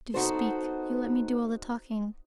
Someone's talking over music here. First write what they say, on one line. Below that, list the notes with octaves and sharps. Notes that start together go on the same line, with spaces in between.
Do speak! You let me do all the talking.
B3 D#4 F#4 A4 C5